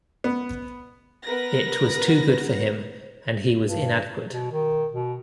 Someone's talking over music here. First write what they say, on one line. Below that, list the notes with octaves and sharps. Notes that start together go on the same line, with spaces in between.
It was too good for him, and he was inadequate.
B3
B3 A#4 B4 A#6
G2
B2
D#3
B2